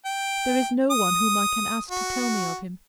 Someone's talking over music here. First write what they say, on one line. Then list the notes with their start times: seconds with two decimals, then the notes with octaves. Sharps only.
There is no one whom I can ask to tell me of him.
0.05 G5
0.91 D#6
1.91 F#4